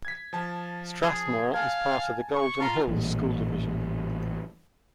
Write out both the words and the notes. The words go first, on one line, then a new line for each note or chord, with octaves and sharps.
Strathmore is part of the Golden Hills School Division.
G#6 B6
F3 A5
G#4
F5 G#5 A5 G#6
C#6
F4 A5 A#5
A1 A#2 G3